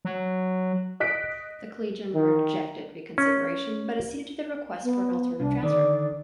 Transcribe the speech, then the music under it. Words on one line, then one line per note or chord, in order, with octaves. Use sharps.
The collegium rejected reconsideration but acceded to the request for an alternative transfer.
F#3
D#5 F#6 B6 D7
D#3
C#4
B3
C2 D4
D3 D#3 D5